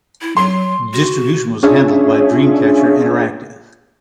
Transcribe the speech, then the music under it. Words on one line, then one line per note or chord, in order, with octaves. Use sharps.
Distribution was handled by Dreamcatcher Interactive.
E4
F#3 C6
F#4
C#4 D4 F4 G#4 C#5 E5